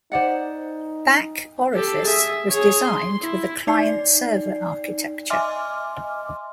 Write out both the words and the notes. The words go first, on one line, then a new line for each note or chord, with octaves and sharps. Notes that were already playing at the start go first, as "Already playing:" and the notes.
Back Orifice was designed with a client-server architecture.
D#4 C5 D5 F#5
G4 A4
G#4 E5
G#4 C#5
C6
E4
D#4 D5 C7
D#5 E5 G#5 C6 D6 F6